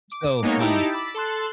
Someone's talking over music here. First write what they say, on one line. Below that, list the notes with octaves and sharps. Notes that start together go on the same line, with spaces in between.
So funny.
D6
G#3 A#3 B3 D#4 A#4 C#5
D#4 E4 G4 A5 D7
B5 D6 E6 A6 B6
A4 A5 C6 F#6